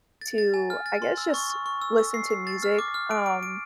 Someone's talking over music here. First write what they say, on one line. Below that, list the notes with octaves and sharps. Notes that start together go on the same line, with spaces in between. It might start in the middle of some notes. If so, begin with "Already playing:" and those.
to, I guess, just listen to music, um,
A6
A6
G#5
F6
A6
C6
E6
C#6
C#6
C#6
E6
E6
C7
C7
A6
F6
D6
F6
D7
D7
D7